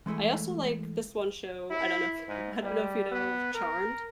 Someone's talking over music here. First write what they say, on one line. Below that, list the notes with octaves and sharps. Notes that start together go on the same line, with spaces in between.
I also like this one show, I don't know if I don't know if you know of Charmed,
E3 G#3 A3 E4 G#4
E4
G#2
G3
B3
A#4